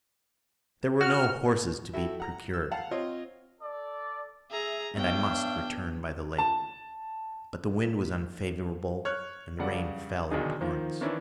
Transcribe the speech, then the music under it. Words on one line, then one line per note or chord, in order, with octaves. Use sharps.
There were no horses to be procured, and I must return by the lake; but the wind was unfavourable, and the rain fell in torrents.
F#4 F6
E4 F#4 A4 G5
F#5 A#5
E6
F5 F#5 A5
C4 F4 C#5 D#5
A4 D5
G#4 E5 A#5
B3 D4 C#5 E5 F5 G5
A5
C#5 F6 F#6
G2 C#3 D5 F#5
B1 D3 D#3 D4 D#4 G#4
D#3 F3 A#3
D#3 E3 C#4 D4 E4